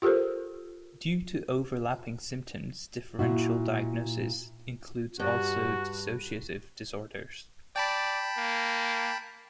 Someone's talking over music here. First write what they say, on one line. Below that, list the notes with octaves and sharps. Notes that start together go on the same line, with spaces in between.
Due to overlapping symptoms, differential diagnosis includes also dissociative disorders.
F4 G4 A4 A#4 C5
A#2 E4 F#4
G2 F#4
D5 G5 A5 B5
A#3